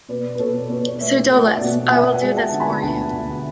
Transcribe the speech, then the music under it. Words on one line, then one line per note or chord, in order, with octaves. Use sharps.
Pseudolus: I will do this for you.
B2 B4 D5
B4
B2 A4 C#5
B2 B4 D5
C#5
D5
A3 C#5 E5
A3
D5 F#5
B2
F#5
B3 E5 G#5
D5 F#5
G#3
F#5 A5
D3
G#5 B5
D2 F#5 A5
D2